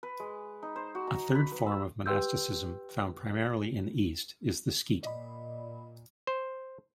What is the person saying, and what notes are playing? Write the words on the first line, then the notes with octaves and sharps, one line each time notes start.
A third form of monasticism, found primarily in the East, is the skete.
B4
G#3
D#4
C5
F#4
A#5
B5
B4
E6
G4 B4 G5 C6 E6 G6
A#2 D5 D#5 B5
C5